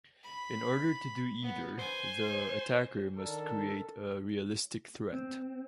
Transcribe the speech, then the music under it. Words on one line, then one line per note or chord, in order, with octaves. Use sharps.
In order to do either, the attacker must create a realistic threat.
B5
B3
C5 G#5
D#3 D4 A4 A#4
C4